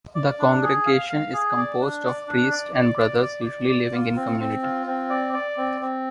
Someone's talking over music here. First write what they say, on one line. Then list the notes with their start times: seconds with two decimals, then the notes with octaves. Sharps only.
The congregation is composed of priests and brothers usually living in community.
0.15 D5
0.39 D4
0.63 G#4
0.86 F5
1.10 F5
1.34 G#4
1.57 D5
1.81 D4
2.04 D5
2.28 D4
2.51 D5
2.74 D5
2.98 D5
3.22 D5
3.45 D5
3.69 D5
3.93 F4
4.16 C4
4.40 C4
4.63 F4
4.87 C4
5.10 D5
5.33 D5
5.57 C4
5.81 C4